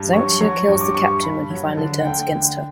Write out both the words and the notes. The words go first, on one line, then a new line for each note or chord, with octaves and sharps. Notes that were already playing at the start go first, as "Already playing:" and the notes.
Xanxia kills the Captain when he finally turns against her.
Already playing: G2
F#3 C#6
F#3 C#6
G2 C#6
D6
G2 C#6
G2 B5
F#3
D3 A5
F#5
D2 G5
D3